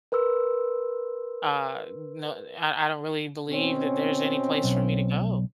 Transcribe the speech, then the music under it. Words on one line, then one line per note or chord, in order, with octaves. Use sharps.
Uh, no, I I don't really believe that there's any place for me to go,
A#4 B4 C6 E6
B2 C4 C#4
B1